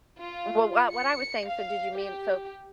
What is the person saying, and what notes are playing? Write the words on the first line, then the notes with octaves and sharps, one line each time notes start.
uh, well, what what I was saying, so did you mean, so
F4
C#7
F5
G4